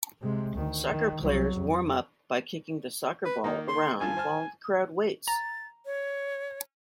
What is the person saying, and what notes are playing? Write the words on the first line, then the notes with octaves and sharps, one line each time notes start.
Soccer players warm up by kicking the soccer ball around while the crowd waits.
C3 G#3
D2 D#3
D#3
C2 F#3
F2
B4
D#3 A#3 D#4
C6
G2 F4 G#5 A5
C5 A5 F6
A#5 A6
C#5